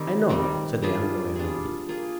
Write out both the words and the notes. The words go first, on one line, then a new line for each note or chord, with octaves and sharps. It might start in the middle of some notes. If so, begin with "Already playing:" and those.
"I know," said the young lawyer, nodding.
Already playing: D#3 G3 C4
D#3 G3 C4
G3 D4 F4 G#4
G3 D4 F4 G#4
A#3 F4 G#4